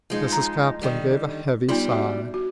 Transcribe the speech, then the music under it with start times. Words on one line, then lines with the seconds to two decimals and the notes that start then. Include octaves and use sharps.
Mrs. Caplin gave a heavy sigh.
0.10 F3 G#3 D#4
0.32 A#5
0.82 D3 D#3 G3
1.69 G3 B3 D4 D#4 F4
1.89 F#4 E5
2.34 F#4